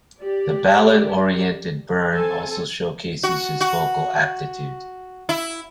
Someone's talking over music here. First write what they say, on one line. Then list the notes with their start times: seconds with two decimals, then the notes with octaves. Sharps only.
The ballad-oriented "Burn" also showcases his vocal aptitude.
0.21 G4 D5
2.10 C4 A4 G#5 A5
3.23 F#4
3.61 F#4
5.29 E4